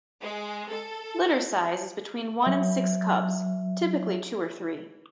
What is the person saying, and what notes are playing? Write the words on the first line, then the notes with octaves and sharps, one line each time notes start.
Litter size is between one and six cubs, typically two or three.
G#3
A4
F#3 E5